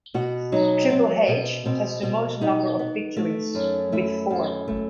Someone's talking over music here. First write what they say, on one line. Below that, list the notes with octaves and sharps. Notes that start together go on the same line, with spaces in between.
Triple H has the most number of victories, with four.
B2 F#4
F#3 D#4
B3 C4
B2
B2 C4
B2
B3 D#4
B3
A3
F#2
A3 E4
F#2
A3